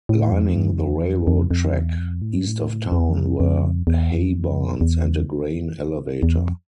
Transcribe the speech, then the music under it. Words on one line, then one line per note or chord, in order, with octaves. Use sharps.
Lining the railroad track east of town were hay barns and a grain elevator.
A2
F2
G2
F2
E2
F2
F2
F2
E2
F2
A2
G2
A2
F2
E2
F2
F2
E2
F2
E2
E2
F2